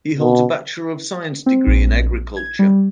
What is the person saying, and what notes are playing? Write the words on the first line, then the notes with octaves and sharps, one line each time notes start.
He holds a Bachelor of Science degree in Agriculture.
B2
C4
A#1
G#6
G3